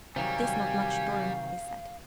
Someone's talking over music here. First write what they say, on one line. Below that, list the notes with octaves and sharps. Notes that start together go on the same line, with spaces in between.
"This not much storm," he said.
C3 D#3 F#3 G3 F5 G#5